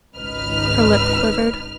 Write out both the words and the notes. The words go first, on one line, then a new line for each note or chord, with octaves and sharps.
Her lip quivered.
G#1 C#2 D#4 B4 F6